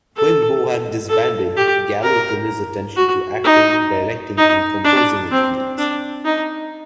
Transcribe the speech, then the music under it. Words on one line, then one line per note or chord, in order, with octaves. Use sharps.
When Bohack disbanded, Gallo turned his attention to acting, directing, and composing in films.
A4
A4
G4
A#4
F#4
D#4
D#4
D4
C4
D4
D#4